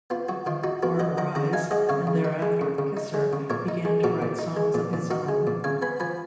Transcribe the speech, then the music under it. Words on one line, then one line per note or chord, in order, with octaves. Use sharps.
For Arise and thereafter Kisser began to write songs of his own.
B3 F4
F#3 F#4
D#3 F4
D#4 F#4
B3 F#4 A#4
F#3 D#5 F#5
D#3 F#5 A#5
C#3 F#5 A#5
D#4 F5 G#5
G#3 D#5 F#5
C#3 C#5 F5
C#3
D#4
G#3
C#3
C#3
D#4
G#3
C#3
A#2 A#4 C#5
D#4
G#3
A#2 F#4 A#4
A#2
D#4
G#3
A#2
A#2
D#4 F#4 A#4
G#3
A#2
C#3 F5 G#5
B3 G#5 B5
F3 G#5 B5